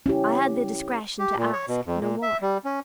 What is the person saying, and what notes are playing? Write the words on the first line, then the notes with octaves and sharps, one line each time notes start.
I had the discretion to ask no more.
C#4 E4 G4
G4
A#2
C#5
B2
F2
A#2
E5
G3
C#4